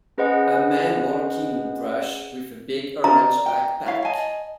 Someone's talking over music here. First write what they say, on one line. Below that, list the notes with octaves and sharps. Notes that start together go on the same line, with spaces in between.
A man walking in brush with a big orange backpack.
C#4 G#4 B4 C5 D#5 F#5
A#4 D5 A#5
G5
E4 C#5 F5
D#5 G#5 A5